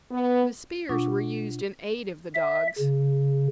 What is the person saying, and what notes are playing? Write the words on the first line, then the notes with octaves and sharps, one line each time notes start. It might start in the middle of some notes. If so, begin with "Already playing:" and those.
The spears were used in aid of the dogs.
B3
B2 D4 F4 F#5 C#6 D6
E5
C#3